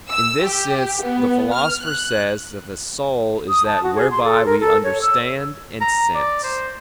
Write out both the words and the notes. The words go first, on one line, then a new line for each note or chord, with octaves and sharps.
In this sense the Philosopher says that "the soul is that whereby we understand and sense."
E6
G4
B3
F6
F#6
D#6
A5
F#4
G#4
C6
A4
A#4
A4
C#5
E6
A#5
D5
C5